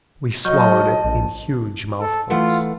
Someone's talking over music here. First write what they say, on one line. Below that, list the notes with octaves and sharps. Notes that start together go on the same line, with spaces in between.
We swallowed it in huge mouthfuls.
F#3 D#5 C#6 F6 G6
A5
A#1
A4
E3 A3 F4 F#5